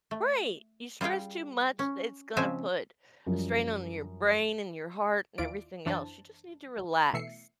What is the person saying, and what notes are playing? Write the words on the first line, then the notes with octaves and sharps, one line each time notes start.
right! You stress too much, it's gonna put a strain on your brain, and your heart, and everything else, you just need to relax.
A3
G3 F4 G#4 F5 G5
C#4
C#3 F3 G#3 C4 E5 G#5
F#2 F3 G3
D#2 E4 F4 D5 D7
F#2 E3 D4 C5 A5
B2 E3 A3 E5 C7 C#7